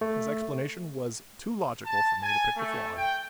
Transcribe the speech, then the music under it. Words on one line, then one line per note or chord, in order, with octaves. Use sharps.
His explanation was too logical for me to pick a flaw in it.
A3
A5
G#5
A3
G5